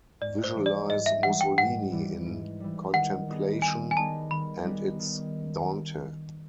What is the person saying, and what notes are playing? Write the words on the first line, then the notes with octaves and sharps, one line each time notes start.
Visualize Mussolini in contemplation, and it's Dante.
G#2 D5
C5
E3 G3
D5
G#2 D#5
E5
E3 G3 F#5
G5
G#2 F#5
E3 G3
G#2
E3 G3
D#3 F#5
G3 B3 D#4 G#4
D#3 G#5
G#5
G3 B3 D#4 G#4 A5
D#3 B5
G3 B3 D#4 G#4
D#3